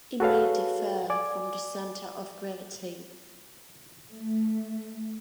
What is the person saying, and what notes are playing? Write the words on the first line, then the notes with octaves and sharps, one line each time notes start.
It may differ from the centre of gravity.
F#4 G#4 A4 B4 C#5 F5
D5 G#5 D6
A3